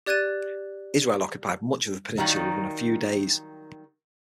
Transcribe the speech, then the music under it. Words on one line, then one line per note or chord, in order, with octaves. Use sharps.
Israel occupied much of the peninsula within a few days.
G4 D5 F#6 G#6 A6 D#7
D#3 F#3 G3 A#3 D#4